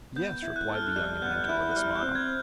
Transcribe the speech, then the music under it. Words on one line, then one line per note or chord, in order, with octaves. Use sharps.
"Yes," replied the young inventor, with a smile.
B3 G6
E4
F#6
A4
F6
G3 F#6
B3 G6
G6
E4 F#6
F#6
G3 F6
G6
C4
G#6